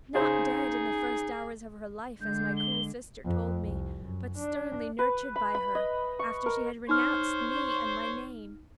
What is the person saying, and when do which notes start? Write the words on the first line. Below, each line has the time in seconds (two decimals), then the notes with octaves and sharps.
Not dead in the first hours of her life, as my cruel sister told me, but sternly nurtured by her, after she had renounced me and my name!
0.15 C#3 D#4 G#4 C5
2.21 D3 G#3 G6
2.57 G7
3.24 F2
3.63 C2
4.03 F#2
4.38 D4
4.99 B4
5.36 B5
5.55 B5
5.75 D#5
6.19 C#6
6.46 A#4
6.89 D#4 C5 C#5 F6